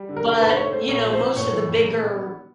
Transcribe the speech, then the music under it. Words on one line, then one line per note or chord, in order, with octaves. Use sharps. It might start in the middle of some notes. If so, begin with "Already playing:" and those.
But, you know, most of the bigger
Already playing: G3
D3
A#4
D3
A#4
G#2 B4
C5
A3 C#5
A3 C5
A#1 C#5
F3
C5
A#2
A2 C#5
E3
A2
A#2
B3
B3